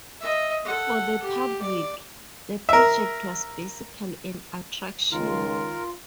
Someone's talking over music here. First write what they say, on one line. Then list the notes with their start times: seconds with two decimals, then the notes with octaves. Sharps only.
For the public, the project was basically an attraction.
0.21 D#5 E5
0.65 A4 F#5
1.22 G4
1.61 D5
2.69 A#4 E5
5.12 C#2 D#3 D#4 F4 A#4